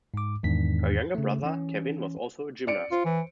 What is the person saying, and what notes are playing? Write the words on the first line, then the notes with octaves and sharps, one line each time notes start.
Her younger brother, Kevin, was also a gymnast.
G#2 D6
E2 G#2 D#3 D4 B6
C#3 A3
E3 C#4
D5 C#7 D7
F4 C5
E3